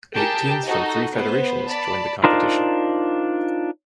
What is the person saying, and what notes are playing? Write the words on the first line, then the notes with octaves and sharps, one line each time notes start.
Eight teams from three federations joined the competition.
G4 G#4 A#4 G5 A5
D#4 F#4 A4 D#5
B3 B4 C5
D5 A5 B5
D4 D#4 F4 A#4 C5